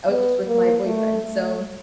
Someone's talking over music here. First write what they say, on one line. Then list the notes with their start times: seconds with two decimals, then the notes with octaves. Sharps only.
I was just with my boyfriend, so,
0.09 B3
0.47 A#3
0.86 A3
1.24 A3